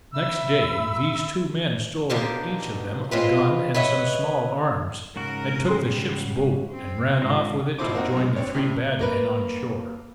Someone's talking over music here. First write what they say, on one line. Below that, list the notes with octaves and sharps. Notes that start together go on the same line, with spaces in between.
The next day, these two men stole each of them a gun and some small arms, and took the ship's boat, and ran off with it to join the three bad men on shore.
E5 B5 E6
D#2 B2 D3 A#3 G4
G#3 C4 F4 B4
B4 C#5 D#5 E5 F#5
G#2 C#3 F#4 A#4
G3 G#4 C6
C4
G#2 F4 D#5 F5
G#1 B2 F3 E4 C5 D6
A#3 C4 D#4 F#4
F#2 G#3
C4 D4 C#5
A2 C3
A#3 A#4 B4